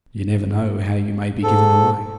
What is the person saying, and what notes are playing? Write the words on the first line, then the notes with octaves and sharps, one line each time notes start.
You never know how you may be given away.
G#2 A4